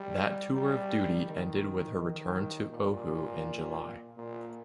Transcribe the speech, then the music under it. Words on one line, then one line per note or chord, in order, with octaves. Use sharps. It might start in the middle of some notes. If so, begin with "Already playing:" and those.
That tour of duty ended with her return to Oahu in July.
Already playing: G3
G3
D#3
D#3
A#2
A#2